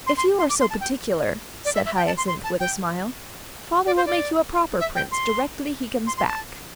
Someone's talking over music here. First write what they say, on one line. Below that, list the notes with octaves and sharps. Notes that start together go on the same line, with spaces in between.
"If you are so particular," said Hyacinth, with a smile, "Father will make you a proper Prince directly he comes back."
C6
C6
C6
D6
C6
A5
G5
D5
E5
E5
G5
A5
C6
C6
A5
G5
D5
C5
D5
E5
G5
C6
C6
C6
A5